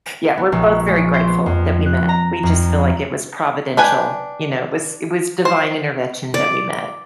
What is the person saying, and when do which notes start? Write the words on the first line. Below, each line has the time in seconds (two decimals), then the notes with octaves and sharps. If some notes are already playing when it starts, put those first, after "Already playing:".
Yeah. We're both very grateful that we met. We just feel like it was providential. You know? It was it was divine intervention that we met.
0.37 B3
0.52 A#1
0.88 G#3
1.14 C5
1.28 B3
1.46 F2
1.86 F#6
2.09 A#5
2.43 F2
3.77 D4 B4 G5 G#5
5.45 C5
6.34 D5